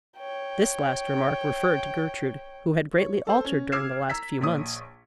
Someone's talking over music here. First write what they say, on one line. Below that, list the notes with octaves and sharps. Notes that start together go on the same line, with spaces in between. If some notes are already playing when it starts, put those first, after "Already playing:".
This last remark referred to Gertrude, who had greatly altered during the last few months.
C#5 G5
C#5
A4 C5
C#4
D6 E6 F6 G#6 C7 E7
A#5 E6 B6
A#1 C#5 D#6